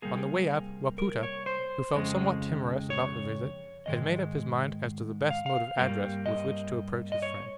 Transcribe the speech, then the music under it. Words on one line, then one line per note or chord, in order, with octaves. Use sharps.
On the way up, Wapoota, who felt somewhat timorous about the visit, had made up his mind as to the best mode of address with which to approach his friend.
C3 G3 A#3 G#4
A#4
C#5
C5
F2 C#3 G#3
C#5
G#2 D#3 G#3 D#5
F5
F5
G2 G3 A#3
D#5
D#5
C#5